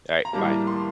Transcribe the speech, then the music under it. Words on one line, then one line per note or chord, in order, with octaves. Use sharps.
Alright, bye.
A#5
A2 G3 A#3 A5
C6